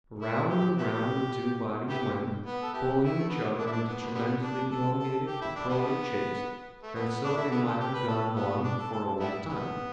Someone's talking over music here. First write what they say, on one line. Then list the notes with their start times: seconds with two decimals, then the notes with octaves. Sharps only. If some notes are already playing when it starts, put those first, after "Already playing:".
Round and round the two bodies went, pulling each other into tremendously elongated or prolate shapes, and so they might have gone on for a long time.
0.21 E4
0.49 G4
0.78 B3 E4 G4
1.89 B3 E4 G4
2.46 B3
2.63 A4
2.73 B3 E4 G4
3.02 E4
3.19 A3
3.30 B3
3.58 D4
3.66 E4
3.72 D4
3.87 B3
4.01 B3
4.15 D3 G3 B3
4.42 D4
4.70 A4
4.99 A4
5.27 G4
5.41 E4
5.56 D4
5.69 D3 G3 B3
6.83 A3
6.95 B3
7.10 B3
7.24 D4
7.37 E4
7.51 B3
7.66 A4
7.80 G4
7.94 B4
8.08 A4
8.36 B3
8.64 D4
8.78 A4
8.93 A4
9.20 G3 B3 E4
9.49 B3